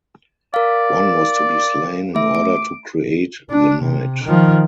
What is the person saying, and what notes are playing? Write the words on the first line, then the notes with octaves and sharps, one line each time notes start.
One was to be slain in order to create the night.
A#4 D5 F5
A3 E5 D6
D7
D4
C3
D#3 F3